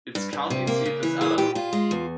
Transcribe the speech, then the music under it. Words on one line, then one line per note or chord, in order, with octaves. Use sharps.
Its county seat is Alamo.
G2
G2
C3
A#3
C#3
E3
A#2 G#4
A#2 G4
A#2 F4
G#3
E2